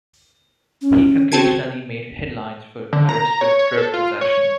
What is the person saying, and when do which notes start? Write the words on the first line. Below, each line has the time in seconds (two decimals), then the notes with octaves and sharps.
He occasionally made headlines for arrests for drug possession.
0.82 C#4
1.32 C4 F#4 A5 G#6
2.93 D3
3.09 A#5
3.41 C#5
3.59 C#5
3.78 A4
3.94 F4
4.21 C#5